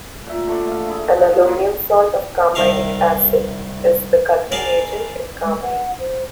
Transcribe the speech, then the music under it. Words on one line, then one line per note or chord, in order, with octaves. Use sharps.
An aluminum salt of carminic acid is the coloring agent in carmine.
A#2 E5
D3 A3 D5
E5 F5
E4 G#4
F3 G#4 F#5
A#3 F4
C2 D#3 A#4 E5 F5
G#4 A#4 D5 F5 A5
G#3
F#5
C5